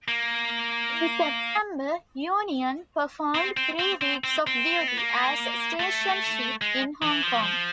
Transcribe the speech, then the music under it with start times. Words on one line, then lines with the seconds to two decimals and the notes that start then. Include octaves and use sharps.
In September, "Union" performed three weeks of duty as station ship in Hong Kong.
0.08 A#3
3.35 C4
3.57 C4
3.79 C4
4.01 C4
4.24 C4
4.47 C4
4.88 B3
4.97 A#3
5.80 A3
6.62 G#3
7.02 E3
7.23 F3
7.43 F3